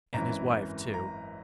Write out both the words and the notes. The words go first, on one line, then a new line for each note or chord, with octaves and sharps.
And his wife, too....
G#1 F#2 E3 A#5
A#5